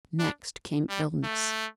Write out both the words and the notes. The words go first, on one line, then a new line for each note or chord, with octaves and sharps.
Next came illness.
D4
G3
A3